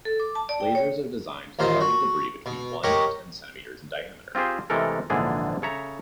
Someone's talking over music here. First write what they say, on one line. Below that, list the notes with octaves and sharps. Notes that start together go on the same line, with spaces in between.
Lasers are designed to target debris between one and ten centimeters in diameter.
A4
D6
A5
D5
G5
C#5
A1 D#3 F4 C5 D#5
F#4
B2
G4 A#4 C#5 D#5 F#5
C4 F4 G4 G#4 C5
C3 E3 G#3 A3 A4 A#4
A#1 G#2 D3 E3 G#4 D5
C#3 A4 C#5 E5 A#5